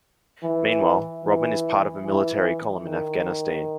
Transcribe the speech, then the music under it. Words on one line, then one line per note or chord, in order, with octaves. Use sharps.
Meanwhile, Robin is part of a military column in Afghanistan.
E3
E3
E3
D#3